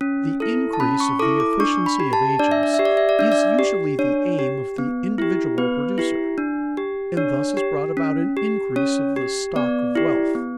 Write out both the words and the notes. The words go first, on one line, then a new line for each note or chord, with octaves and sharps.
The increase of the efficiency of agents is usually the aim of the individual producer, and thus is brought about an increase of the stock of wealth.
C#4
E4 A4
A5
C#4 B5
C#6
E4 A4 D6
D6
D4 C#6
B5
G4
A5
D4 D5
E5
D5
E5
G4
D5
E5
D5
D4 E5
D5
G4
D4 C#5
G4
B3
E4 G4
B3 B4
E4 G4
D4
G4
D4 C#5
G4
C#4
G4
C#4 C#5
G4
B3 D5
E4 G4
B3